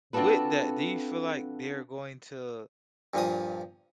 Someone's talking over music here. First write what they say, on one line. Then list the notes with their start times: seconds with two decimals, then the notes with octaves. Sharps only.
with that, do you feel like they're going to
0.13 C4 D4 F4 F#4 A4 B4
3.14 G2 A#2 F3 D#6